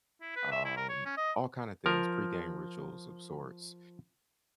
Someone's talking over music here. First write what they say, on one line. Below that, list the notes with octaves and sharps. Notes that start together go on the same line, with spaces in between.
um, all kinda things, pregame rituals of sorts.
E4
B4
E5
E4
A#4
C#5
C#4
D#5
F3 A#4